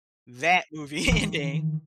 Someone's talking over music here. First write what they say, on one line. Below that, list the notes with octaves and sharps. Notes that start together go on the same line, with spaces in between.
That movie ending
D#3 E3